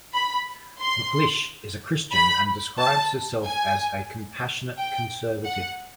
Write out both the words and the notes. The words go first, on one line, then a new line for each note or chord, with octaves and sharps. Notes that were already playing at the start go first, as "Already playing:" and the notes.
McLish is a Christian and describes herself as a compassionate conservative.
B5
C6
B5
A5
G#5
G5
F#5